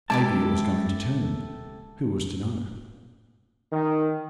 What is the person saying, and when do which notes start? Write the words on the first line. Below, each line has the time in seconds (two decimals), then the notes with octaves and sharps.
Maybe it was going to turn--who was to know?
0.10 G#3 E4 G4 A4 A5
3.71 D#3